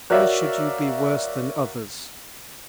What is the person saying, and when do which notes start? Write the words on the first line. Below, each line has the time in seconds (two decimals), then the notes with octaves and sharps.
"Why should you be worse than others?"
0.10 F#4 A#4 C#5 D5 E5 F5